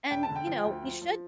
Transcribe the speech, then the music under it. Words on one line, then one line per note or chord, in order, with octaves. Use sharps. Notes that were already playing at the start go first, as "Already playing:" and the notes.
and, you know, you should
E1 G5
A5
D3
G5
F3
D2
F3
F3